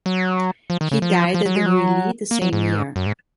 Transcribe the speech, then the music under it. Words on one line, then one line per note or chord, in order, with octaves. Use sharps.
He died at Reuilly the same year.
F#3
F3
D#3
C#3
F3
F3
F#3
G#3
F#3
A#3
F#3
G#2
F#2
G#2